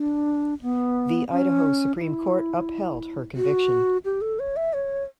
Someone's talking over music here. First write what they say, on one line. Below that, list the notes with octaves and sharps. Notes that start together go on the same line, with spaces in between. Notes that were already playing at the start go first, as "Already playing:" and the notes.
The Idaho Supreme Court upheld her conviction.
Already playing: D4
B3
C#4
E4
F#4
G4
A4
C#5
E5
C#5